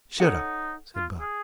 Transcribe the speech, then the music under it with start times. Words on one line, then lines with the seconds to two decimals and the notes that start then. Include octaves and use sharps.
"Shut up," said Buck.
0.20 D#4 A4 C#5 F#5
0.96 F4
1.20 G#4